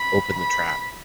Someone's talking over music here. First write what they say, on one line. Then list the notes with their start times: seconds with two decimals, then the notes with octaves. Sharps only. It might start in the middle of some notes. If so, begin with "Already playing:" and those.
Open the trap.
Already playing: B5
0.33 B5